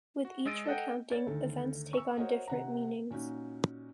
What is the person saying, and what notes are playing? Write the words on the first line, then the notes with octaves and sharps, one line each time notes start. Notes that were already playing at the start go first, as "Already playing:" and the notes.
With each recounting, events take on different meanings.
F#4
G#3 D#5 E6 A6 D7 D#7
A4 D#5 F#5 G5
C#5 D5 A6
D2 D#3 A4
C#6 E6
F#4 A#4 C5 C#5 D#5 F#5
C3 F#5 A#5
A#2 C#4 D#4 F#4